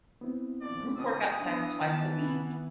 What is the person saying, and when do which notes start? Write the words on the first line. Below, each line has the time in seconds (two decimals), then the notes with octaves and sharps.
group workout class twice a week,
0.21 B3 C4 E4
0.61 A#1 D5
0.97 B2 D3 D#6
1.40 E3 B3 D4
1.81 D#3 B3 A5